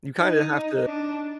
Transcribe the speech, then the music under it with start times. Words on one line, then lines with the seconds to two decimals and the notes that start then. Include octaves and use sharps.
you kind of have to
0.18 D#4
0.86 D4